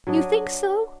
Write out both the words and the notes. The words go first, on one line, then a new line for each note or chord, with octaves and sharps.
"You think so?"
F#3 D4 D#5